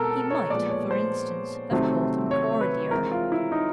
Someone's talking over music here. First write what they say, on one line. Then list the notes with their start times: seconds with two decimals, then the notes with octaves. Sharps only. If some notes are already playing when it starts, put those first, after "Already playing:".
He might, for instance, have called him Cordier.
Already playing: B2 G#3 C4 A4 A#4
0.30 C#5
0.50 A#2 F3 G#3 B3 D5
0.70 C#5
0.91 C5
1.71 C3 D#3 F#3 A3 C4
2.31 C#5
2.61 B4
2.91 E3 G#3 C4 A#4
3.11 F4
3.32 E4
3.52 D#4